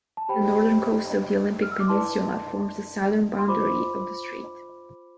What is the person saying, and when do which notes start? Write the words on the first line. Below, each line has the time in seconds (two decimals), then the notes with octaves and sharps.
The northern coast of the Olympic Peninsula forms the southern boundary of the strait.
0.17 A5
0.29 G4 C5 G5 B5
1.62 F6
1.72 E6
1.80 D6
1.88 E4 B4 D5 A5 C6
3.39 C6
3.48 F4 C5 B5 D6